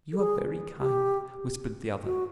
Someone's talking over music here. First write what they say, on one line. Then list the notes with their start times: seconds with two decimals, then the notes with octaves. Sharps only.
"You are very kind," whispered the other.
0.13 A4
0.18 G#4
0.81 G4
2.05 F#4